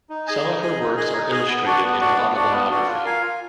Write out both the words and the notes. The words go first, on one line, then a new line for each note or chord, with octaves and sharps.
Some of her works are illustrated in her autobiography.
D#4
G#4 D#5 G#5
D#4
G#4 D#5 G#5
D#4
G#4 D#5 G#5
D#4
G#4 D#5 G#5
B3
D4 F#4 D5 F#5
B3
D4 F#4 D5 F#5
B3
D4 F#4 D5 F#5
B3
D4 F#4 D5 F#5
F4
A#4 F5 G#5
F4